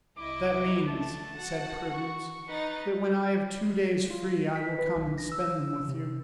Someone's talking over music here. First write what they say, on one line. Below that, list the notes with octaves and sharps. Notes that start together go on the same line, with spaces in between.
"That means," said Prudence, "that when I have two days free I will come and spend them with you."
C2 E4 D#5 D6
A3 D4 A5
F#4 F#5
C#6
D#4 B4 A6
F4
B6
B4
B1
A#6
E6
C3